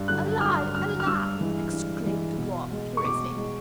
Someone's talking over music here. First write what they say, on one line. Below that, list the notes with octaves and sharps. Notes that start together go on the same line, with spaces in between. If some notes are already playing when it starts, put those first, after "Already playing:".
"A lie!--a lie!" exclaimed the dwarf, furiously.
Already playing: G2
D3 F#3 F#6
G2 F6
D3 F#3 F6
F6
G2 E6
E3 G#3
G2
E3 G#3
B2
G#3
C#6
B2 D6
G#3